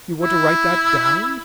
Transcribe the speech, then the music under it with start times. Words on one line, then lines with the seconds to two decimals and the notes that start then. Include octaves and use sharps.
You want to write that down?
0.22 E4